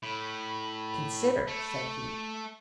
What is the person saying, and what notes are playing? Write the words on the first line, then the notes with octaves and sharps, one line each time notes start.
"Consider," said he.
A2 B5
A3